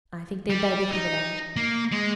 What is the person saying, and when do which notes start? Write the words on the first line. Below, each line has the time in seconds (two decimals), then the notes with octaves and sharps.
I think they'd better be quick about it.'
0.50 G3
0.91 D#4
1.56 A#3
1.92 G#3